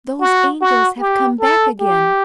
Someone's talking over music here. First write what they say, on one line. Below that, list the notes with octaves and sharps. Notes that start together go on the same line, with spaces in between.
Those angels have come back again.
F#4
F#4
G4
A4
G4